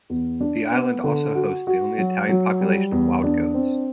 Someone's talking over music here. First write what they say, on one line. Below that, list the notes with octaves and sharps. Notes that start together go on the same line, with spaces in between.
The island also hosts the only Italian population of wild goats.
E2
D4
B3
D3
F#4
F#4
F#3
F#3
G3
E2
D4
C4